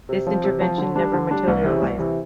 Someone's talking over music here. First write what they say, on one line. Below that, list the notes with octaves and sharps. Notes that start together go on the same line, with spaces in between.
This intervention never materialised.
C3
F3 C4
C3
F3 C4
D3
G3 D4
D3
G3 D4
C2
C3 E3
C2
C3 E3